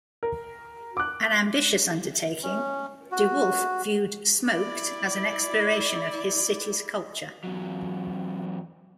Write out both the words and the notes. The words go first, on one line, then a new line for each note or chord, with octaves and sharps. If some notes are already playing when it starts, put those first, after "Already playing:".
An ambitious undertaking, DeWolf viewed "Smoked" as an exploration of his city's culture.
A#4
D6 F#6
C#4
F#4
E4 D5
E2 F#3